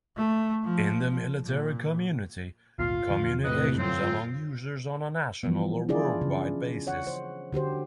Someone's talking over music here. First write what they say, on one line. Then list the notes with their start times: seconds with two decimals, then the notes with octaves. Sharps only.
In the military community, communications among users on a national or worldwide basis.
0.17 A3
0.64 F3
1.46 A#2
2.79 G#1 D2 A#2 F4 F5
3.09 E2 D3 F3
3.44 A2 C3 B4 D#5
3.78 F#2 D3 F#3 C4 F4
5.43 E3 F3 G3 B3
5.89 D4 E4 F4 G#4 D5
6.21 C#3
6.87 C#5 F#5
7.07 C5
7.53 D3 F#4 G4 C5